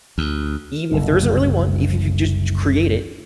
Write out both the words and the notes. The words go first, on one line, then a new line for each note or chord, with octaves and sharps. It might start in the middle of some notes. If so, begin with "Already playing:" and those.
even if there isn't really one, eve if you just create it
D2
F#1 C2 D3